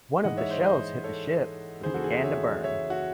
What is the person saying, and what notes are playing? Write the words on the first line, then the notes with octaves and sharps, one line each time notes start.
One of the shells hit the ship, which began to burn.
G#2 E3 G#3 D#5 F#5
C#5 E5
C5 D#5
C5 D#5
A4 C#5
D#2 C#3 E3 G#4 C5
F#4 A4
G#4
G#4
C#5 E5
C#5 E5
F#4